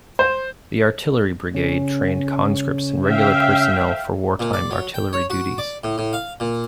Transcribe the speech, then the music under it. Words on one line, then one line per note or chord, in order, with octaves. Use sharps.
The Artillery Brigade trained conscripts and regular personnel for wartime artillery duties.
C5
C#3 C#4
E5 F5 G5
A#2
D5
F#3
G5
C#5
F#4
D5
A2
A2
F5
A#2